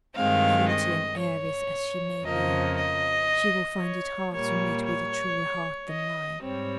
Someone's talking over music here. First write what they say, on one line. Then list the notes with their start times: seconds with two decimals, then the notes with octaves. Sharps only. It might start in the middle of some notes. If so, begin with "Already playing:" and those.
Beauty and heiress as she may be, she will find it hard to meet with a truer heart than mine.
0.14 G2 D#3 G#3 C4 F5
0.67 D#5
1.19 C#5
2.23 F2 C#3 F3 A#3 D#5
2.77 D#5
3.81 C#5
4.33 A#2 G3 A#3 C#5
4.85 C#5
5.89 D#5
6.42 G#2 G3 C4 C#5